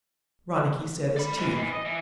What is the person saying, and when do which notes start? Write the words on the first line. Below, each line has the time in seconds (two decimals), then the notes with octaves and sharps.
Ronicky set his teeth.
1.17 D5 B5
1.38 G#2 E3
1.56 D#3 E3
1.73 D#5
1.85 E3